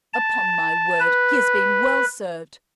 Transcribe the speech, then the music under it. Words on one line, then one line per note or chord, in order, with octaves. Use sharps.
Upon my word, he has been well served.
A5
B4